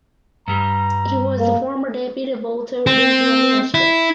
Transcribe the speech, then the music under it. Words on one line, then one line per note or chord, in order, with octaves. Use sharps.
He was the former Deputy Volta Regional Minister.
G2 G3 A#5
A#3
C4
E4